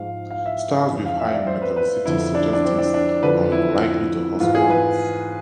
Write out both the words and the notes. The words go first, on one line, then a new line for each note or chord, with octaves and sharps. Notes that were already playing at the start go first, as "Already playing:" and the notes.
Stars with higher metallicity such as this are more likely to host planets.
Already playing: G#2 F3 F5
F5
E5
F2 E3
F5
E5
D5
C5
B4
B4
F2 D3 F3 E4
D4
D4
C4
D4
D4
F2 D3 F3 B4
E4
G#2 E3 F4
G#4
B4